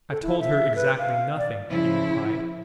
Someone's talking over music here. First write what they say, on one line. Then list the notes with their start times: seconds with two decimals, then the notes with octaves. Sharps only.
"I've told her exactly nothing," he replied.
0.10 A4
0.22 E4
0.40 E5
0.76 B4
0.98 F5
1.38 D5
1.68 C#3 F3 E4